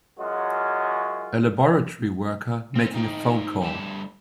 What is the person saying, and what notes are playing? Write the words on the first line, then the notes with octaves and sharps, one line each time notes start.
A laboratory worker making a phone call.
F#2 F#3 G#3 C#4 F4 F#4
C4 C#4
G#2 D#4 G5
D3 G3 A3 A5